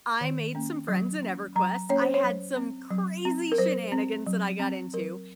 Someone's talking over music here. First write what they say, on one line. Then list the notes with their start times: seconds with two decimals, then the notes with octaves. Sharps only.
I made some friends in Everquest, I had some crazy shenanigans that I got into.
0.21 D#3
0.55 A#3 C#4
0.88 F#3
1.22 A#3 C#4
1.56 F#3 A#5
1.90 A#3 C#4 C#5
2.02 C5
2.14 C#5
2.23 F#3
2.57 C4
2.91 F#3
3.25 C4
3.52 A#4
3.58 F#3 C5
3.92 C4
4.26 F#3
4.60 C4
4.93 F#3 A#4